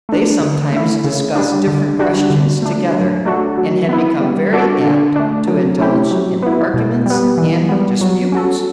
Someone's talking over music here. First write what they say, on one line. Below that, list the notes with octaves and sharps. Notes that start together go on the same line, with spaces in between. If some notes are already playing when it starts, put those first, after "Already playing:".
They sometimes discussed different questions together, and had become very apt to indulge in arguments and disputes.
A3 D4
D3
A3 E4
C#3
G3 D4
D3
G3 D4 F#4
D3
A3 D4
F#3
A3 D4 F#4 A4
F#3
B3 E4
G3
D4 F#4 A4
D3
A3 D4
F#3
A3 C#4 E4 G4
F#3
B3 E4
B2
G3 B3
E3
G3 B3
F#3
C#4 F#4 A4